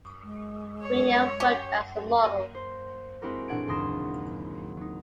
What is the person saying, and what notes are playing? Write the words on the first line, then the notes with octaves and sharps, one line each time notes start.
Grenier worked as a model.
G#3
C#5
C#4 G4
A#3 A#6 D#7
C5
G#3 C4 E4 F#4 G4 A#4
A1 A#2 D4 F#5 G#6 D7
F#1 D#2 C6 D#6 A#6 E7
F#3 D#4